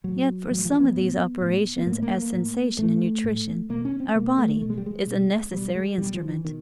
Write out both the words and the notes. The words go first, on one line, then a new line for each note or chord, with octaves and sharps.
Yet for some of these operations, as sensation and nutrition, our body is a necessary instrument.
A2 F#3
A2 F#3
F3
B3
A2
A2
B3
A2 A#3
A#3
A#3
A2
A2 A3
A2
B2 A#3
C#4
C4
B2 A#3
A3
B2 A3
G#3
G3
G#3
B2
B2 G3
G#3
B2 G3
F3
E3
B2 D#3